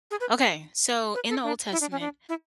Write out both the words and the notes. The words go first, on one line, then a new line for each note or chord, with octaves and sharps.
Okay, so, in the Old Testament,
G#4
B4
B4
A4
D4
E4
D4
C#4
D4
E4